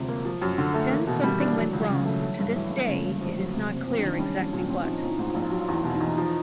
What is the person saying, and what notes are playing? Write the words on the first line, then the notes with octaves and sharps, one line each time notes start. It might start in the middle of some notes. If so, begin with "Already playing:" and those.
Then something went wrong: to this day, it is not clear exactly what.
Already playing: E1 D2 C3 F3
A#3
F3
F#2
D3
A3
E3 A#3
B2
D#3
G3
E3
D4
E3 F#3
C#2
F#3
C#3
F#3
A3
G3 A3
G2
G#3
E3
A3
G2
C#3 A#3
G1
F2
F#3
C3 C4
F#1
C4
F2
D4
D#3
G3 C#4
A#1
C#4
A#2
C#4
C4
F3 D#4
A#1
E4
G#2
F4
A#1
F#3 F4
E2 E4
B2
D#4
E2
F3